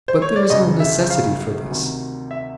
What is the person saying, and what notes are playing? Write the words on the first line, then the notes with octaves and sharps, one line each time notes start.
But there is no necessity for this.
C5
C#5
D5
G1 F#2 C#3 D#5
E5
F5
D2 C3 D#3
E5